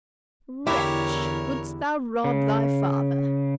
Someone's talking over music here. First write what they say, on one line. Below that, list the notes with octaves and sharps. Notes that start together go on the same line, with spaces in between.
'Wretch! wouldst thou rob thy father?'
E2 D3 E4 G4 A#4 C#5
C#3